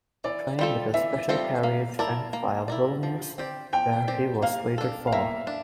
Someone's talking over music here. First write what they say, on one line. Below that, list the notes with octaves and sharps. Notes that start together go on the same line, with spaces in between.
The train with a special carriage went via Vilnius where he was waited for.
E3 D5
G3 C4 F4 A4
E3 E5
G3 C4 F4 A4
A#3 F5
E4 A#4 D5 A5
A#3
E4 A#4 D5
F3
C4 G4 D5
F3 G5
C4 G4 D5
A#3 F5
D4 A4
F5
A#3 E5
D4